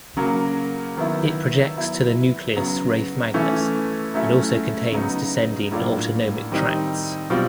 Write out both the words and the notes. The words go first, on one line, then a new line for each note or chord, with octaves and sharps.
It projects to the nucleus raphe magnus, and also contains descending autonomic tracts.
C#3 F#3 A#3
D#3 F#3 B3 E4
F#3 B3 E4
C#3 F#3 B3
E3 A3 C#4 E4
F#3 A3 C#4 E4
C#3 F#3 B3 D#4
A2 F#3 A#3 D4 F4
D#3 G3 C4 D#4
B2 G3 C4 F4